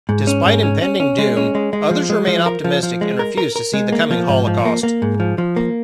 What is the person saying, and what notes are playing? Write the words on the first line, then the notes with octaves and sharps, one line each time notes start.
Despite impending doom, others remain optimistic and refuse to see the coming Holocaust.
G#2
C#4
G#2
C#4
C#4
C#4
G#3
C#4
G#3
G#3
F3
G#3
F3
A#4
F3
F3
G#3
A#4
A#4
A#4
G#3
A#3
F3
G#2
F3
A#3
A#3
G#2
F3
F3
A#3